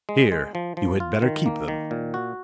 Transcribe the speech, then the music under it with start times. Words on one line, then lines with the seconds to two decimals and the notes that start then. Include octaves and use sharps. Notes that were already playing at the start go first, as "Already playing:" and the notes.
'Here, you had better keep them!
0.09 G#3
0.32 G#3
0.55 F3
0.77 F3
1.00 F4
1.22 D#3
1.46 A#3
1.68 D#3
1.91 A#2
2.14 F#4